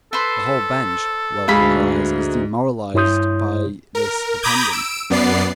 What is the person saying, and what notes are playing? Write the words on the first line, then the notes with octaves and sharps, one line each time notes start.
The whole bench, Welcker cries, is demoralized by this dependence!
A4 B4 C5
D2 G#2 G#4 F5 B5
G2 E4 C#5 C6 D#6 G6
A#4
A#5 B5 D6 D#6 G6 G#6
E6 D7
F#2 B3 D5 C7